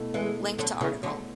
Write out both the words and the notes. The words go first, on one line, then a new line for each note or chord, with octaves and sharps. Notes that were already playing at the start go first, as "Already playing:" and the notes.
Link to article.
Already playing: B2 A3 E4
E3 G#3
D3 F#3
C#3 E3
D3 F#3